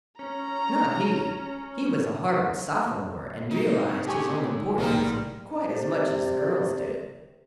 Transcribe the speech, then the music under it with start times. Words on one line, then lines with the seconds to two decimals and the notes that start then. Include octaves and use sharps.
Not he! He was a Harvard sophomore, and realized his own importance quite as much as the girls did.
0.19 C#4 A#5
3.51 G#3 C4 D#4
4.07 C#3 G4 G#5 C6 C#6
4.78 B1 A2 D#3 G3 G#3 A#3
5.67 C3 D5